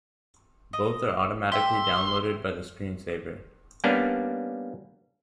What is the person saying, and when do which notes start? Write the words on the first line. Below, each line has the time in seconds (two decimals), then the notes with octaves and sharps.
Both are automatically downloaded by the screen saver.
0.73 D#5
1.52 G4 E5 C6
3.84 G3 A#3 B3 C#4 D4